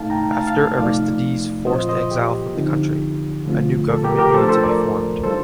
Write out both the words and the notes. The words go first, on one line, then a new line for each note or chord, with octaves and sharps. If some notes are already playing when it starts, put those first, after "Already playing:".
After Aristide's forced exile from the country, a new government needed to be formed.
Already playing: A2 A3 D#4 F5 A5
G5 A#5
F5 A5
F5 A5
C3 F3 A3 D#4 D5 F5
A#2 F3 C4 F4 C5 D#5
C5 D#5
G4
D3 F3 C4 D#4
D3 F3 A3 C4 F4
A4
G4 A#4
G4 A#4
F3 A3 D4 F4 A4 C5
A4 C5
A#4 D5
D#3 G3 D4 F4 A4 C5